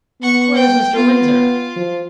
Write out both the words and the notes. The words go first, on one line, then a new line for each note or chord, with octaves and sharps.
"Where is Mr. Windsor?"
B3 F#5 C#6
G5
B3 F4
F3